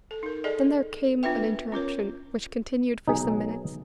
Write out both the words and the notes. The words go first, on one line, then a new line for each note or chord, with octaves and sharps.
Then there came an interruption, which continued for some minutes.
A4
D#4 A#4
G#4 A4 D5 D#5
B3 D4 F4 B4 E5 G5
C#4 F4 A#4 C#5
B1 D#4 G#4